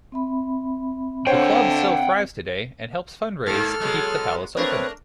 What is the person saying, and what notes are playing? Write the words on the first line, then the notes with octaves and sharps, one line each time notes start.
The Club still thrives today and helps fundraise to keep the Palace open.
C4 E5 B5
D3 C5 C#5 F#5 G5
G#2 A#3 A4 F6
F#3 G#3 B3
A3 C4 D4 A#4 B4 C#5